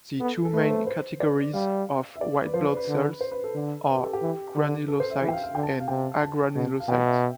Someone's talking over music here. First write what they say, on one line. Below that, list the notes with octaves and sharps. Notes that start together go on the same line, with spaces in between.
The two main categories of white blood cells are granulocytes and agranulocytes.
B3 A4
A4
A3 B4
C5
C5
D5
G3 F5
E5
D5
B4
F3 C5
B4
B4
D3
C5
B4
A4
D3
B4
G4
A4
G4
E3
D3
A4
C5
E5
E3 E5
G5
F5
F5
D3 G5
A5
F5
C3 G5
A5
B2
F5
B2 G5
E5